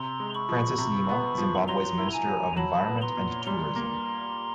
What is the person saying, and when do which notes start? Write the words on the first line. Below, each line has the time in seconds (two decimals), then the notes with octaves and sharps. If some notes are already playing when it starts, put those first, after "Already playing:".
Francis Nhema, Zimbabwe's Minister of Environment and Tourism.
Already playing: C3 A#5 C6
0.20 G#3
0.34 B5 C#6
0.49 F3
0.78 C3
1.09 B3
1.38 F3
1.68 F#3 A#5 C6
1.98 E4
2.13 G#5 A#5
2.27 F#3
2.57 F#3 A5 B5
2.87 B3
3.01 A#5 C6
3.17 A#2
3.46 G3 A#5 C6
3.76 A#3